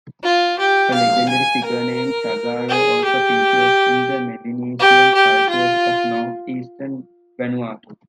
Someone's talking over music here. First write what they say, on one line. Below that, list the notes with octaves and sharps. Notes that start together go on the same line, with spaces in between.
A legendary figure named Tagaro also features in the Melanesian cultures of north-eastern Vanuatu.
F4
G4
F5
G#5
A#4
G#4
G4
G4
G4
F4